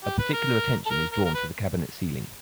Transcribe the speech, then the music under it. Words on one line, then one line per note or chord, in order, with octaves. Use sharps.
A particular attention is drawn to the cabinet ceiling.
G4
B4
A#4
A4
A#4
A#4
A#4
B4